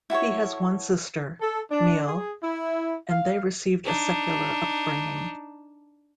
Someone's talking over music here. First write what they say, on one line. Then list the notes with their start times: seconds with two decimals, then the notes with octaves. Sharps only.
He has one sister, Miel, and they received a secular upbringing.
0.10 E4 F#4 A4 C#5
1.41 A4
1.71 D4
2.07 G#4
2.43 E4
3.11 F5
3.85 D4 D#4